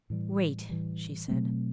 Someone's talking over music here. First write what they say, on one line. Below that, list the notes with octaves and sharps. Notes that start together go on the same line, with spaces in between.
"Wait," she said.
A2 E3 G3
A2 E3 G3
B2 F#3 A3 C4